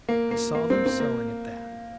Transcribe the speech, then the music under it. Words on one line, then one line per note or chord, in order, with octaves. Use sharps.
I saw them selling at that.
A#3
A#3
A#3
C4
C4
A#3